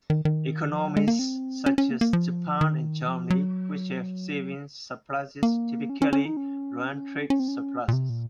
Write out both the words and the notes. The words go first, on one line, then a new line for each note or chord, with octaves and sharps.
Economies such as Japan and Germany which have savings surpluses, typically run trade surpluses.
D#3
D#3
F3
F#3
G#3
A#3
C4
C#4
C#4
A#3
A#3
F3
D#3
F3
F#3
A#3
C#4
C#4
C#4
D#4
C#4
C#4
C4
C#4
A#2
C3
A#2